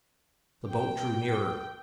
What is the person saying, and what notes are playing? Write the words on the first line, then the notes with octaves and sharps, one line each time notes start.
The boat drew nearer.
G5